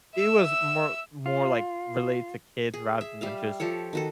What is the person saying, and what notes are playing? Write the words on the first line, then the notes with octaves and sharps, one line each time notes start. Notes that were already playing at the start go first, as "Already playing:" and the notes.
it was more more, like, relate to kids rather than just
E5 E6
F4
G#4
E5
G3 E5 F5
F3 G4 A4 C#5
D#3 F#4 A4